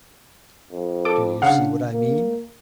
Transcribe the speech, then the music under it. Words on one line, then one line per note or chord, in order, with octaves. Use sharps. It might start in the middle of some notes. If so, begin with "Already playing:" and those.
Do you see what I mean?
F2
A4 D6
C#3 D4 F5 F#5
A#3